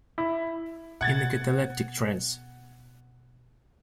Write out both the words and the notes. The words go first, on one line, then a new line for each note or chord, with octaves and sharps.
In a cataleptic trance.
E4
B2 F#5 G#6 A6